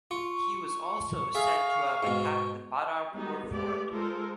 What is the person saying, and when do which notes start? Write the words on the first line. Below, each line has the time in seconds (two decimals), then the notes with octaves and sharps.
He was also said to have attacked the Badarpur Fort.
0.11 F4 C#6
1.35 G#4 E5 F5
2.03 G#2 B2
3.12 G3 G#3 B3 D#4 F#4
3.49 G#3 A3 B3 G4 D5
3.92 G#3 F4 A4 A#4 C5